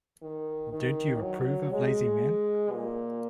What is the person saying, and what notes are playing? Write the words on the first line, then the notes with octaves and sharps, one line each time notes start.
Don't you approve of lazy men?
D#3
D#3
F#3
G#3
A#2